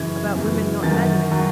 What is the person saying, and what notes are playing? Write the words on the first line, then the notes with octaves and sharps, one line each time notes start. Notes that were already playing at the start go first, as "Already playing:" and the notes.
'About women not meddling.
Already playing: F#2 C#3 E3 G#6
F#2 C#3 E3
F#2 D#3 F#3 A6
D#3 F#3